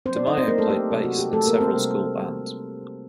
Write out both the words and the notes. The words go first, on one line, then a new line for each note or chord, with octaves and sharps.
DeMaio played bass in several school bands.
F#3 A#3 C4 D4 C5
D4 D5
D#4 D#5
C4 C5
A#3 A#4
A3 A4
G4
C3 F#3 A3
F#4
G4
A3 A4
A#3 A#4
C4 C5
C3 G3 D4